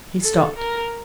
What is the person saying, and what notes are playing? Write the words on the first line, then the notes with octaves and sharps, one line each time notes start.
He stopped.
A4
A#4